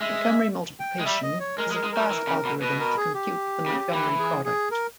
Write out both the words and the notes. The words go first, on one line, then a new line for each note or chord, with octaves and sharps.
Montgomery multiplication is a fast algorithm to compute the Montgomery product.
G#3 E5
G5
G#3
G3 E5
D#5
C#5
G#3 A#4
G#3
A#4
G#3
G3 A#4
E3
C#3
B2
B2 B4
A#4
G#4
G4
C#3
E3
G#4
G#4
A#4